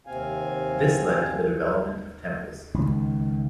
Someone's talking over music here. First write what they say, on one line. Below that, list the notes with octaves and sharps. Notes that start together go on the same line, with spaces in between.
This led to the development of temples.
D#2 C3 C4 F5 G#5
C#2 D#3